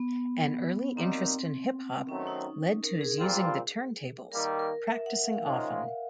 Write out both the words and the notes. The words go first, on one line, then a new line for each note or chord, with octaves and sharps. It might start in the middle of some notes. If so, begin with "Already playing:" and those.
An early interest in hip hop led to his using the turntables, practicing often.
Already playing: B3
F#2 D#3 G3 A#3 C4 D#4
D#3 F#3 A3 C4 C#4
D#4
A#4
G#4
A#2 G3 C4 F4
D#3 G3 A#3 A#4
A#4
E5
F#5
F5
G#2 D#3 G#3 C#4 F4